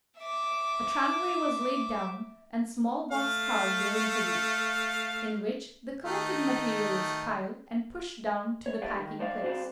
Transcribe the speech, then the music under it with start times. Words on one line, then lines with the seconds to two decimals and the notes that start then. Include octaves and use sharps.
A tramway was laid down and small box-cars were introduced, in which the collected material was piled and pushed down to the packing place.
0.18 E5 D6
3.11 A3 F5
6.05 D#3 A3 D#4
8.66 C#5
8.82 G4 A4 B4 D5 F5
8.99 D#3
9.19 F#2 C5 D5 F5
9.43 C4 F#4 C5 D5 F5